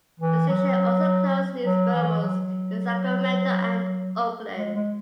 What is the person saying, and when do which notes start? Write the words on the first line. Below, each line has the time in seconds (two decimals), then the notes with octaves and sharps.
The station also closed news bureaus in Sacramento and Oakland.
0.19 E3
0.49 F#3
1.64 F#3
1.94 E3
2.23 F#3
4.56 G#3
4.75 G#3